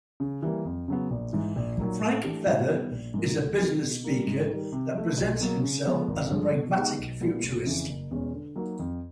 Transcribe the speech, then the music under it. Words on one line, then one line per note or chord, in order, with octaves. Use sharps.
Frank Feather is a business speaker that presents himself as a pragmatic futurist.
C#3
E3 G3 A#3
F2
C#3 F#3 B3
A#1
G#2 E3
A#1
A#2 F#3 A#3 D#4
A2
E3 A3 D4 G4
G#2
D#3 G3 B3
A#1
G#2 F3 A#3
C#2
C3 D#3 F#3
B2
G3 A#3
G#2
D#3 G3
C3
F3 A3
B1
B2 F#3 A#3
C#3
F3 G#3 B3
G#1
G2 D3 F3 G#3
B2
G#3 B3 D#4 G4
B1
A#2 G3 B3 E4
F1
F2 C#3 E3
F#1
E2 B2 G#3 C#4
D3
F#3 A#3 D#4 F#4
F2